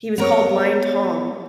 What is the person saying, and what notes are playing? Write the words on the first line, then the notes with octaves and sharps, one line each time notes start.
he was called Blind Tom.
B3 A#4 C#5